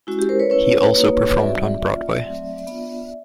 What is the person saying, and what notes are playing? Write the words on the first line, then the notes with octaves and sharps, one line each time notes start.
He also performed on Broadway.
G#3 C#4 E4 F#4
G4
A#4 C5
B4 C#5
A3 C#4 E4 B4 C#5
A#3 D#4 F#4
G3 C4 D#4 F#4 D5 E5
A#3 C#4 F4
F#3 A3 C4
B3 D4 F4